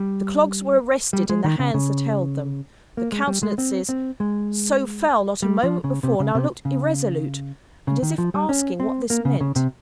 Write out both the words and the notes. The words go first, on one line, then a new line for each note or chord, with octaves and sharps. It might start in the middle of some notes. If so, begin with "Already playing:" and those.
The clogs were arrested in the hands that held them--the countenances, so fell not a moment before, now looked irresolute, and as if asking what this meant.
Already playing: G3
G3
G#3
D#3
C#3
C#3
A#3
G#3
G3
G#3
C4
C4
G#3
G3
F3
C#3
C3
C#3
C3
C#3
C#3
D#3
F3
G3
C#4
C4
A#3
C#3
C#3
C3